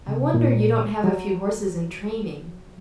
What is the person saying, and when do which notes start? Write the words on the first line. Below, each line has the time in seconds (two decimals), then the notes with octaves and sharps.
"I wonder you don't have a few horses in training."
0.08 C3
0.34 A#2
1.04 F#3